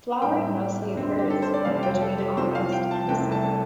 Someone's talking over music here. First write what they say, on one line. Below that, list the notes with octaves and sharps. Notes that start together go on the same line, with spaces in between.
Flowering mostly occurs between August and December.
A2 G3 C4 G5
G2 D3 G3 C4
G4
A4
C5
D5
F2 C3 G3 C4 F5
G5
A4
G4
C2 C3 F3 C4 C5
F5
G5
A5
C2 C3 A3 C4 G5
A5